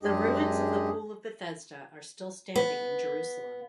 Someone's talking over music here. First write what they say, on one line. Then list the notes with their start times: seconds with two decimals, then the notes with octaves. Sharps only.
The ruins of the Pool of Bethesda are still standing in Jerusalem.
0.03 F#2 G#3 D4 G4 G#4 D#5
2.56 B3